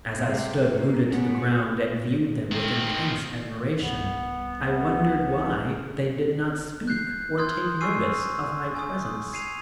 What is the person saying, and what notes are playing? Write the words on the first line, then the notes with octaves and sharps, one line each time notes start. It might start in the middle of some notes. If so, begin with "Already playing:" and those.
As I stood rooted to the ground and viewed them with intense admiration, I wondered why they did not speak or take notice of my presence.
C3 G3
A#3
C#3 B3
D#3 C4
C2 B3
F#6 G6 C7
C6 D#6 F6 G6 G#6
G#5 C#6 E6 F6 C7 D#7
G#5 D#6
G#6 C7 D#7 F7